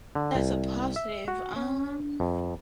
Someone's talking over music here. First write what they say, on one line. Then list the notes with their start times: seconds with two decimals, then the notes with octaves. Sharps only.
That's a positive. Um
0.15 D3
0.35 C2
0.96 E5
1.28 F#4
1.56 C#4
2.20 F2